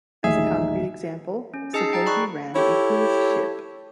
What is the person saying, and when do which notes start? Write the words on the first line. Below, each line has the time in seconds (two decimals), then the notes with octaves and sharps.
As a concrete example, suppose you ran a cruise ship.
0.24 D#1 A1 D#4 G#4 E5
1.54 C#4
1.73 D#4 G#4 D#5 A5 E6 C7
1.92 G#4 G5 A#5 A6 C7
2.06 D5 B5 C#6 F#6
2.55 E4 G4 A4 C#5